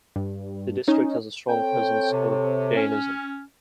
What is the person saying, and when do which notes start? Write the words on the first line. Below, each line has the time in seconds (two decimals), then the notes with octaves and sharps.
The district has a strong presence of Jainism.
0.16 G2
0.88 C#4 D#4
1.49 C4 A4 C#5 G5
2.11 C3
2.76 C#4